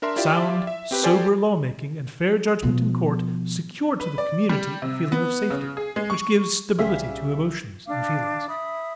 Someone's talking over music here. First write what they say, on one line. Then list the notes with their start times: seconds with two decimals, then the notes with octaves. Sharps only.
Sound sober lawmaking and fair judgment in court secure to the community a feeling of safety which gives stability to emotions and feelings.
0.02 D4 A#4 E5 C6
0.16 E4 F4 G4 D5 E5 F5
0.67 E5
0.91 C4 G4 B4
1.03 G4 A4 C5 D5 G#5
2.62 B2 F3
4.00 B4
4.18 D5
4.49 G3
4.82 C3
5.12 B3
5.50 C#3
5.77 G#4
5.96 G#3
6.10 C#6
6.78 C2 C#3 G3 G4 G#4 E5 F5 B6
7.87 D4 F5 D6
8.48 E5 B5 D#6